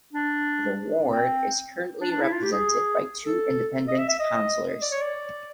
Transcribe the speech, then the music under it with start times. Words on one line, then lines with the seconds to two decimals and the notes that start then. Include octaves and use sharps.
The ward is currently represented by two independent councillors.
0.13 D4
1.06 C4
2.01 D4
2.11 D4
2.21 E4
2.32 F4
2.42 G4
2.52 G#4
3.26 A4
3.88 D#5
3.98 E5
4.09 E5
4.19 D#5
4.81 D5
4.91 C#5
5.02 D5